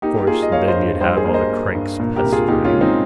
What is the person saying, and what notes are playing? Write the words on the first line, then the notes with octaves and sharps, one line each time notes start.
Course then you'd have all the cranks pestering.
A#3 D#4 G4
G4
A#3 F4 G#4
D#5
A#3 C#5 F5
C5 D#5
G2
G3 C5 D#5
G#4 C5
A#3
C5 D#5
A#3
G2
A#2
G4 A#4
C2
F4 G#4
A#2 D#4 G4
C#4 F4
G#3
C4 D#4